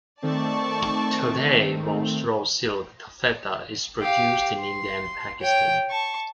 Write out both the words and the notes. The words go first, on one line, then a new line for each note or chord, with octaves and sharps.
Today most raw silk taffeta is produced in India and Pakistan.
D#3 A3 C4 D5 A5 C#6
G4 F5
C6
C#5 G5
A5 C#6